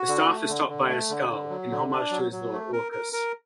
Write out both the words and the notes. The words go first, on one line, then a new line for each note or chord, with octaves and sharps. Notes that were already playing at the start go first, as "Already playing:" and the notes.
The staff is topped by a skull, in homage to his lord, Orcus.
Already playing: F#4
D3
A3
D3
D3
A3
D3
D3
F#3
D3
D4
F#3
F#3
A3
A#4
A#4
A#4